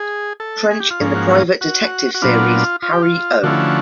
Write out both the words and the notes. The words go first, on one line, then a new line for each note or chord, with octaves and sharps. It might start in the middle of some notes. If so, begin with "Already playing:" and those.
Trench in the private detective series "Harry O".
Already playing: G#4
A4
G#4
G4
F4
G#2 F3 A#3 C#4
F#4
F#4
F#4
F#4
A#2 F#3 B3 D4 F4
F4
G4
F4
D3 F3 A3 C#4 E4 F#4